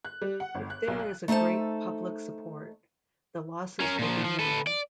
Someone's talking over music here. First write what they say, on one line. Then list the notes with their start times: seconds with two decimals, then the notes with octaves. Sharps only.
If there is a great public support, the losses will be minimal.
0.05 F#6
0.21 G3
0.40 F#5
0.55 G1
0.70 F#6
0.88 B1
0.99 F#6
1.28 A3 D#4 A4 C5 A5
3.80 C#4 A#4
3.99 A#2 F3
4.24 F3
4.39 A4 B4
4.67 D5